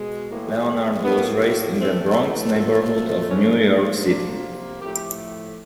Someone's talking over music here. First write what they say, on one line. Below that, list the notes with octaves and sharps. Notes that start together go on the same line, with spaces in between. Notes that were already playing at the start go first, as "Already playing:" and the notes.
Leonard was raised in the Bronx neighborhood of New York City.
Already playing: B2 G#3
A2 E3 G#3 A#3
A2 F#3 A#3 B3
A2 E3 A3 C4
A#2 F3 A3
C4
G#2 F3 A#3 C#4
C3 F3 A#3 D4
A2 F3 A3 G4